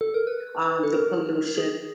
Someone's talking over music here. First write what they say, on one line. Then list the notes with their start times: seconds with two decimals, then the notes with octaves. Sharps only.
um, the pollution,
0.01 A4
0.14 A#4
0.27 B4
0.83 A4
0.93 A#4
1.57 G#4